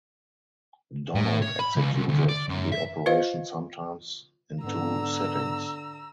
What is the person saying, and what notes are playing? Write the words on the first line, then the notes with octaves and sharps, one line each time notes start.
Donald executed the operation sometimes in two sittings.
A2
C#5
B5
C#2
C2
D2
D5
F#2
E5
F4 B4 C5 D#5 F5
G#2 D3 B3 A#5 E6